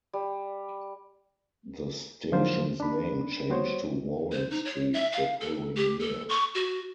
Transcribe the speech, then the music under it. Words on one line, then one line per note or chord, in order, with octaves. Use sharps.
The station's name changed to "Warren Street" the following year.
G3
D3 F3 F#3 A#3 F4 C5
D4 B5
G3 B3 F#4 C5 C#5
C5
D#4
C#5
E5
F5
A4
G4
A4
C#6
F#4